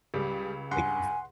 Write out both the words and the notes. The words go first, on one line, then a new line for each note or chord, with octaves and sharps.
Like v
C#2 G3 G4 G#4
G2 F#5 G#5 C6